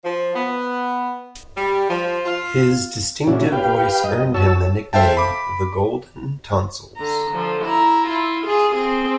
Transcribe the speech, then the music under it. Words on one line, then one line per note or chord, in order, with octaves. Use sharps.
His distinctive voice earned him the nickname "the Golden Tonsils".
F3
B3
G3
F3
F4
A#2 C#3 C#4 D4 E4 F#4
G4 B4 F5 G5
G2 D#5
F#4 C#5 A5 E6
A4 C5 E5 F5 G5 A5
B5 D6
D3 A#5
D3 F3
E4 A#5
E4 F4
F4 G#4
C4 G#4